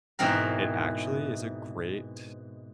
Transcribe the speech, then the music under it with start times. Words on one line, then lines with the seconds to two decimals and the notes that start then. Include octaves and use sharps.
it actually is a great
0.19 G#2 B2 E3 C4 A#4